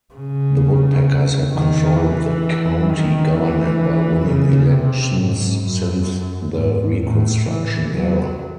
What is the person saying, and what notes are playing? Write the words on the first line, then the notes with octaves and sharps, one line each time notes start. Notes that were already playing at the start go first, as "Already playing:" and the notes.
The Woodpeckers had controlled the county government by winning elections since the Reconstruction Era.
C#3
D#3
E3
D#3
E3
C#3
C3
G#2
F#2
G#2
A2
E3
F#3